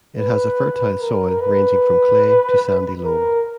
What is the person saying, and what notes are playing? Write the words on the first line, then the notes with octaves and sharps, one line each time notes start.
It has a fertile soil ranging from clay to sandy loam.
B4
A#4
B4
A#4